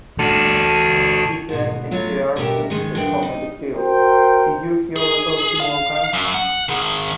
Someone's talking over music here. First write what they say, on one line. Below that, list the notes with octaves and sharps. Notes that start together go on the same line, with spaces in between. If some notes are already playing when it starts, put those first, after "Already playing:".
She then appeared in the comedy film Did You Hear About the Morgans?
F#4 A4
G#2 B2
A2 F#3 F4 C#5
D2 G2 B2 G4 A#4 E5
D#3 G#3
F#2 D3 B3 G5
D#4
F#4 A#4 C5 G5
G#4
F5
F#2
F#5
D#3 G#4